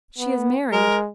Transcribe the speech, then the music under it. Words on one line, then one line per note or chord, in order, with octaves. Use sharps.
"She is married."
B3
G#3 A#4